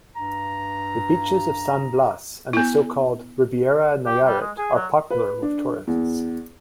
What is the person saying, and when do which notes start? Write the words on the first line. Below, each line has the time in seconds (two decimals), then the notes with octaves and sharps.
The beaches of San Blas and the so-called "Riviera Nayarit" are popular with tourists.
0.16 G2 A#5
2.53 B3 E4
4.06 G4
4.24 G3
4.41 G#3
4.58 G#4
4.75 F#3
5.10 B4
5.42 D4
5.87 E2